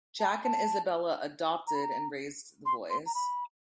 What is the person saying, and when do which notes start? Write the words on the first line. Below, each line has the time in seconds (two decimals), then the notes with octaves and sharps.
Jack and Isabella "adopted" and raised the boys.
0.20 A5
0.44 A5
1.67 A#5
1.75 B5
1.83 A#5
2.66 C6
2.90 C6
3.06 A#5
3.15 B5